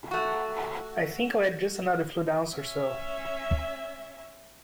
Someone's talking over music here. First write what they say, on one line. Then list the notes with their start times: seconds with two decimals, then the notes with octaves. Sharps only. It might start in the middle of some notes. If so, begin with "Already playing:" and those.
I think I'll add just another fluid ounce or so.
0.11 A3 F#4
2.54 C#4 E5